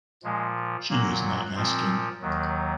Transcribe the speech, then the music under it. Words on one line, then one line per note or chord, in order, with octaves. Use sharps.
She is not asking.
A#2 F3 G#3
A#2 F#3 A#3
A#2 F3 C4
D#2 D#3 F#3